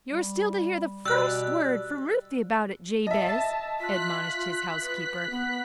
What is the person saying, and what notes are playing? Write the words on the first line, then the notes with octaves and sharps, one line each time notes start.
"You are still to hear the first word from Ruthie about it, Jabez," admonished his housekeeper.
G3
B2 G3 E6 F#6
D#5 E5 A5
F4 F#6 B6
B4
B3